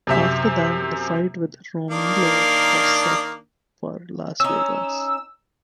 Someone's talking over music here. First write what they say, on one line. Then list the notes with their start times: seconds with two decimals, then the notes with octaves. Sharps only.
After that, the fight with Romero was set for Las Vegas.
0.07 F#2 C3 E5
1.91 D#3 A#3 D4
4.40 C#4 D#4 E6